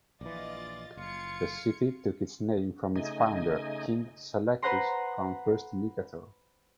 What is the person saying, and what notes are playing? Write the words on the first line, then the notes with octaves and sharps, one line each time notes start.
The city took its name from its founder, King Seleucus the First Nicator.
A#1 E3 F4 D5 D#5 A6
F#1 F4 G#6 C#7
C#3 A3 D#4 D#5 G#5
B4 C5 F#5 A#5 C6